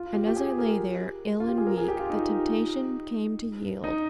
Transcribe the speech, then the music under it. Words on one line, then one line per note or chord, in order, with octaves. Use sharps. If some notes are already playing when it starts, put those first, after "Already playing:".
And as I lay there ill and weak, the temptation came to yield.
Already playing: F4
G4
G4
G#4
A#4
F4
G4
G#4
A#4
G#4
G4
F4
D#4
D#4